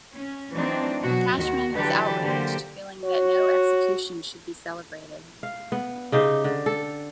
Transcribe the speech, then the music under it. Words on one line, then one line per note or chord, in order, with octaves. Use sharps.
Cashman was outraged, feeling that no execution should be celebrated.
C#4
E3 F#3 A3 C4 D4 D#4
B2 F#3 F#4
D#2 D#3 F#4
D3 E3 F#3 G4 A4 B4
D3 F#3 A#3 G4 C5
F#4 C#5
F5
B3
C#3 D#4 G4 C5
D3
A4